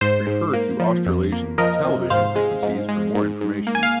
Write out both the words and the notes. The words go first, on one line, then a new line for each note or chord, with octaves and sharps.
Refer to Australasian television frequencies for more information.
G#2 C5
G#2
A#3
F3
F2
A#3
F3 A#4 D#5
C3
G#2 C5 F5
G#3
G#2
G#3
G#2
G#2
A#3
G#5
F5